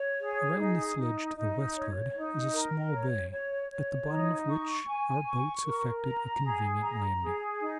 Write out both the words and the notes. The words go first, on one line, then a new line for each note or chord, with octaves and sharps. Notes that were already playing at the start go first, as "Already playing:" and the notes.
Around this ledge to the westward is a small bay, at the bottom of which our boats effected a convenient landing.
Already playing: C#5
G#4
D#4
D#4
D#4
C#5
D#4
A#4
C#5
C#5
C#5
D#4
C#6
G#5
C#6
A#4
A#5
G#4
A#5
G#4
D#4